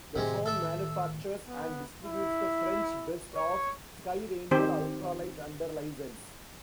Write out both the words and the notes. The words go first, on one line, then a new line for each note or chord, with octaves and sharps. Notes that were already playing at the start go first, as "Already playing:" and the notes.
The firm manufactures and distributes the French Best Off Sky Ranger ultralight under licence.
A2 C3 D#3 G#3
A4 E5
B3
E4
C#5
D#3 C4 G4 C5